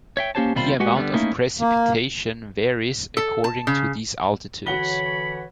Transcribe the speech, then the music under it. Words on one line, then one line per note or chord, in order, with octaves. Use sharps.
The amount of precipitation varies according to these altitudes.
C#5 E5 G5
A#3 C#4 G4 C5 C#5 A5
D#2 C3 G3 F4 C5 B5
G#3 F#4 G4 B4 F#5 G#5
D3 G3 B3
A3 A#3 C#4 D#4 E4
A#3
A4
A5
C#3
D3 E3 F#4 C#5 F#5 B5 G7